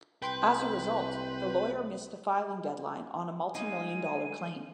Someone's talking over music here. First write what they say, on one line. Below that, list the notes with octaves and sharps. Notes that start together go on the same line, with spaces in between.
As a result, the lawyer missed a filing deadline on a multimillion-dollar claim.
C2 B4 G5 C6 G6
G3 G#3 A#3 D#4 G#5 D#7